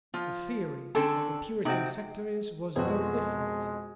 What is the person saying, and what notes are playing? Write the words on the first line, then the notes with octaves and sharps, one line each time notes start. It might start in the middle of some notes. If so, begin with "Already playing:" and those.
The theory of the Puritan sectaries was very different.
F3 F4
D3 C4 C#4 A4
C3 C4 D#4 F#4
F2 B2 G#3 C4 F#4 G#4